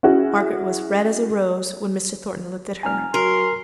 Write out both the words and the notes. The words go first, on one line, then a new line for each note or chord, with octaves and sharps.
Margaret was red as a rose when Mr. Thornton looked at her.
C#4 E4 F#4 G#4
F1 G#5 A#5 F6
F#3 A#4 C6